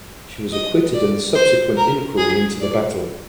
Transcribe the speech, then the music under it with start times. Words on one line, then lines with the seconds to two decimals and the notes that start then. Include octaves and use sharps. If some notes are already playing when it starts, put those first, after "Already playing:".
He was acquitted in the subsequent inquiry into the battle.
0.52 D#5
0.94 D5
1.35 C5
1.77 A#4
2.18 G#4
2.60 D5